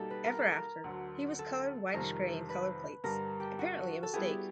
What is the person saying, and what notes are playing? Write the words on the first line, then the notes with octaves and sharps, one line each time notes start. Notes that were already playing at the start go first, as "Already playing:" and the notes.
Ever after, he was colored whitish-grey in color plates, apparently a mistake.
Already playing: B2 G3 A#3 D#4 G4 A4
B4
A#4
A4
A#4
D2 D3 F#3
A4
F2 C3 D#3 G3 A#4
B4
G2 D3 G3 A#4
G4
F#4
A4
G3 B3 E4 G4 G#4